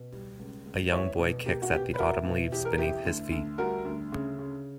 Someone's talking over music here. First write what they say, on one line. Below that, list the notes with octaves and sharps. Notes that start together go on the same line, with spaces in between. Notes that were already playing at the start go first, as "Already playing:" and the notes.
A young boy kicks at the autumn leaves beneath his feet.
Already playing: B2
G3
C#2
C#2
E2 C#5 E5
B2
A#3 G4
F#4
B2 G4
B4
E4 F#4 A#4
B2
E2 G4
A#4
E4 G4
D2
D2
G3 F#4 A#4
D2
C#3
C#3